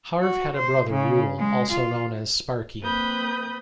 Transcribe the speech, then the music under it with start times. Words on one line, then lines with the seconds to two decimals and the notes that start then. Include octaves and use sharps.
Harve had a brother, Ruel, also known as "Sparkie".
0.21 F#4
0.57 C5
0.90 C#3
1.38 G#3
1.72 F4
2.82 A#3 C4 B4 B5 D#6 G6